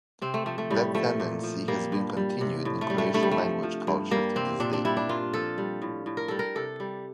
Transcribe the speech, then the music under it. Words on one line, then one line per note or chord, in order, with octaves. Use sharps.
That tendency has been continued in Croatian language culture to this day.
C3 C4
A3
F3 A3
A3
A2 G3
F3 A3
A#2
F3
G3 A#3
G2
G3
C3
A2
A3
G3
A3
G2 A3
G3
A3
F3
F3
G2
G3 A#3
C3 C4
A#2 D4
D4
G3 E4
D4
A#2 F4
F3 A4
G3
A2
A2
A#4
G3 A4
A#4
C3 A4
G3